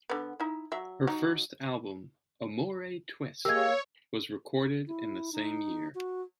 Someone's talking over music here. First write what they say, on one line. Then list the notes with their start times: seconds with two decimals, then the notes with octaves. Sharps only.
Her first album "Amore Twist" was recorded in the same year.
0.10 D3 B3
0.40 D#4 E4
0.72 F#3 E5
1.07 F#3 D#4
3.45 A#3 G4 G#4 C#5 D#5 E6 G#6
4.87 E4
5.33 D#4
5.95 F#4